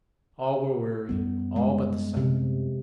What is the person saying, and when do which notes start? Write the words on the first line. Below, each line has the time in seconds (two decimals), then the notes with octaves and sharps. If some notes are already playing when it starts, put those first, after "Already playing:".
All were weary, all but the sun.
1.09 F#2 G3 B3
1.56 G#3
2.17 C3